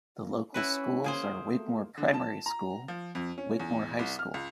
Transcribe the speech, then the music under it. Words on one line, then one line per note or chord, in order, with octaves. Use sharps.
The local schools are Wigmore Primary school Wigmore High school.
A#3
C#4 E4 F#4 B4
A#3 G#4 C5
A3
D3
A5
A#5
F3
F2
C#4
E2
C2
F6
C#2